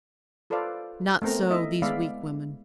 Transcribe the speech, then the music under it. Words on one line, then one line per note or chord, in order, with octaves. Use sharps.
Not so these weak women.
F4 A4 B4 C5 D5 F5
A3 B3 C4 A#4 A#5
E4 D#5 E5
G#3 B3 D5 E5 F5 B5